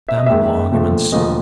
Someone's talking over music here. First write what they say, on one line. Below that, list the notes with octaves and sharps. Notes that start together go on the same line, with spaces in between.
Damnable arguments!
E5
D#5
D#2 D#3 G#3 E5
E1 D#2 D3 F3 A3
E1 D#2 D3 F3 A3 D#5